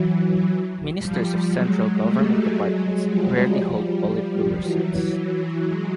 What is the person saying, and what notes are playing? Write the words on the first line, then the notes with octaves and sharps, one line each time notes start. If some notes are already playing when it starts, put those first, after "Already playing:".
Ministers of central government departments rarely hold Politburo seats.
Already playing: E3 F#3
F3 G3
F#3 G#3
G3 A3
F#3 G#3
F3 G3
F3 G3
E3 F#3
E3 F#3
F#3 G#3